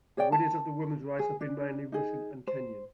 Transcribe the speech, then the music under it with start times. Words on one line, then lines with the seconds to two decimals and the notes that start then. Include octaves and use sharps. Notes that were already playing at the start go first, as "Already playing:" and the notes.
The winners of the women's race have been mainly Russian and Kenyan.
0.17 G#4 C#5 D5 G5
0.32 A5
1.19 G#4
1.41 D4
1.92 D#4 G#4
2.47 C5